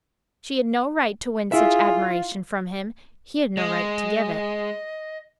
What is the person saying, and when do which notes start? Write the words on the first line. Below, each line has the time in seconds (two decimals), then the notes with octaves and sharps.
She had no right to win such admiration from him--he had no right to give it.
1.52 E4 F4 G#4 E5
3.57 G#3 D#5